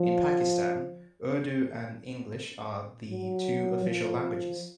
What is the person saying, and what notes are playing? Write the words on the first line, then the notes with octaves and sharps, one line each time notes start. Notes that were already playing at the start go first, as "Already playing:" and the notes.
In Pakistan, Urdu and English are the two official languages.
Already playing: F3
F#3
F3